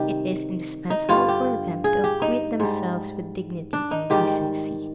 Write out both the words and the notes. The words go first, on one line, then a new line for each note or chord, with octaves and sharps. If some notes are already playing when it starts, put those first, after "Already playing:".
It is indispensable for them to acquit themselves with dignity and decency.
Already playing: C3 D#3 G3 D#4 G4
D#4
G2 D3 G3 F4
G4
G#4
G4
D#4
G#2 G3
D4
D#4
G#2 D#3 G3 G4